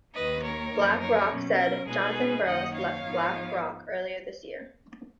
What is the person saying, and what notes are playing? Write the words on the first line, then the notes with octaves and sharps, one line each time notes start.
BlackRock said: Jonathan Burrows left BlackRock earlier this year.
D#2 D#3 A#3 B4 D#5
A#4 C#5
F#2 F3 A#3 D#4
A#4 C#5
B2 F#3 C#4
A#4
B2 G#3 D#4 G#4 B4
F#2 D#3 A#3 D#4 D#5 F#5
C#5 F5
G#2 F3 B3 D#4